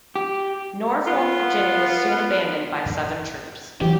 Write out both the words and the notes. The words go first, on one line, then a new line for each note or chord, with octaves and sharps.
Norfolk, Virginia was soon abandoned by Southern troops.
G4
B3 F4
E3 F#3 G4